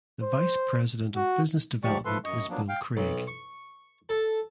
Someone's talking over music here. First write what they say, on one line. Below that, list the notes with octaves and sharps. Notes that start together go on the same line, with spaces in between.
The vice president of business development is Bill Craig.
C5
F#4
D2 G#2 F3 G4 D5 C#6
F3 A3 A4 B4 C6
F#2 D#5 C#6
F3 F#3 A#3 B3 D4
F5 G5
B1
C#6
A4